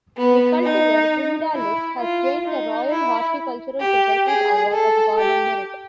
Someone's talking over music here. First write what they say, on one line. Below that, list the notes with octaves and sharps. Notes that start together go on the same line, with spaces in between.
The cultivar 'Pyramidalis' has gained the Royal Horticultural Society's Award of Garden Merit.
B3
D#4
E4
F4
D#4
E4
G4
G#4
A4
G4